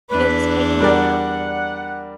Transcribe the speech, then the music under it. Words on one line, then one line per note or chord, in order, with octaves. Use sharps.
It is taken by mouth.
E2 D4 B4
G3 A#4 D5 F#5